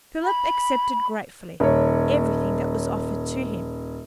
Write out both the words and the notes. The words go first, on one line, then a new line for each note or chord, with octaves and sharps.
Philip accepted gratefully everything that was offered to him.
B5
D#1 C#5